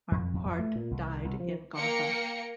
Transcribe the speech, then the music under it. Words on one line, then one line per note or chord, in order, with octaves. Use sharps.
Marquardt died in Gotha.
F2
F2
F2
A3
A#2
C2
C2
F3
A#3 G5 A#5 C#7